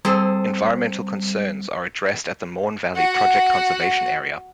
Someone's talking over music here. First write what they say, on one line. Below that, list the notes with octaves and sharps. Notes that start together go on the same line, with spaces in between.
Environmental concerns are addressed at the Maun Valley Project Conservation Area.
G3 C4 G#4 A4
F#4 F#5